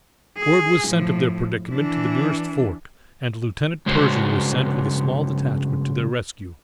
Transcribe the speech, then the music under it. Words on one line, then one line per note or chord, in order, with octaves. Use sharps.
Word was sent of their predicament to the nearest fort, and Lieutenant Pershing was sent with a small detachment to their rescue.
G#4
A2 F3
E3 D4
G2 C#3 G#3 F#4 C5